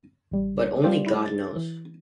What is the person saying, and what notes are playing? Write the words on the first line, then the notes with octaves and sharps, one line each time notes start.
But only God knows.
A1 G3
G3 C4 F4 G4 C5 D5
E4
A6
E3